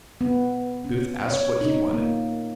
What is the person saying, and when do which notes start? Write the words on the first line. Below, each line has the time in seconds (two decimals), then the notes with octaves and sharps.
Booth asked what he wanted!
0.21 B3
0.85 C#4
1.30 C#5
1.61 D#4
1.93 A#3